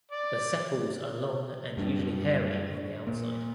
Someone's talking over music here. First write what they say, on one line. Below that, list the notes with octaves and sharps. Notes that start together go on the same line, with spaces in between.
The sepals are long and usually hairy on the outside.
D5
F#2 G3 D4
A#2 A#3